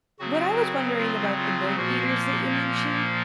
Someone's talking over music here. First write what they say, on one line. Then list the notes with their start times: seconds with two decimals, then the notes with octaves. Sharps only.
What I was wondering about the bird feeders that you mentioned,
0.19 C#3 F#3 C4 F#4
0.97 F4
1.37 F4
1.76 A#2 F3 A#3 F#4